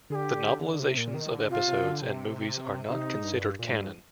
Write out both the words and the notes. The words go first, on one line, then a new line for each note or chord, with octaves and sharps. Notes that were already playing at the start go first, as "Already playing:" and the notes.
The novelizations of episodes and movies are not considered canon.
D3 G#4
G4
D3
C3
A#2
D#3
D3
C3 F4
C3
D3
C3
C3 D#4
G#2
G2
A#2
G#2
G2